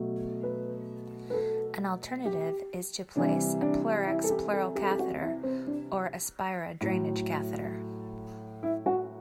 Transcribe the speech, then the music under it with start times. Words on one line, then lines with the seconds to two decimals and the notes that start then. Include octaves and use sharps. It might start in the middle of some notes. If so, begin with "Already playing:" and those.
An alternative is to place a PleurX Pleural Catheter or Aspira Drainage Catheter.
Already playing: B2 F#3 A3
0.43 B4
1.30 B4
1.33 A4
2.25 G4
3.16 C3 E3 G3 D4
3.61 D4
4.07 E4
4.24 A4
4.30 G4
4.53 A4
4.75 G4
4.83 A4
4.91 G4
4.99 F#4
5.21 E4
5.43 C4
5.67 D4
6.81 A2 F#3 A3
8.63 E4
8.86 F#4